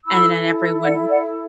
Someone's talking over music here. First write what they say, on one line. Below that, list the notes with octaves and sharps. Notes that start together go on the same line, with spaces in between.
and then everyone
E4 A4 B5 E6
D5 F#5
D5 F#5